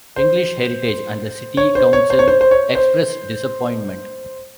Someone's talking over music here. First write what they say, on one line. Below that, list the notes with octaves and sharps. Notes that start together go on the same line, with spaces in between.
English Heritage and the city council expressed disappointment.
C5
C#5
C5
C#5
C5
C#5
C5
C5
C#5
C5